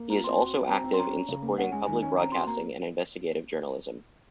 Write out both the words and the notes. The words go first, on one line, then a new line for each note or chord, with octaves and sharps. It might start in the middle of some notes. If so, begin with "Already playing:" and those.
He is also active in supporting public broadcasting and investigative journalism.
Already playing: A#3
F4 A#5
C4 C6
F#4
F#4
G#5
C4 A#5
C4
C6
C#4 A#5
C#4
C#3
A#3
C#4 F#5
G#3 G#5
D#3 G#5
C#4 G#5
C4 A#5
F#4 C6
A#3 A#5